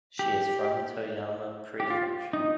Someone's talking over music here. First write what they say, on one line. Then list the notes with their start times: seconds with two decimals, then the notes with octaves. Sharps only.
She is from Toyama Prefecture.
0.19 G4
1.80 G4
1.90 F4
2.33 D#4